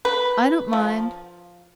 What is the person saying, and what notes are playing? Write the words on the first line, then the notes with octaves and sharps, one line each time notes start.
"I don't mind."
B4
F3